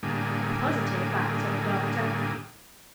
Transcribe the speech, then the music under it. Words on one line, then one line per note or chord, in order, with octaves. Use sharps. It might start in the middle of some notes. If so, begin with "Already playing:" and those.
"A positive fact," said the Doctor.
A2 D3 G3 A#3 G#4